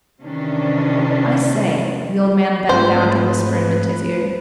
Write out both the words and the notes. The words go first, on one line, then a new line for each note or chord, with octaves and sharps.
"I say," the old man bent down to whisper in Mitya's ear.
C3 D#3 E3 C#4 D4
G#2 A3 C4 F4 B4 C5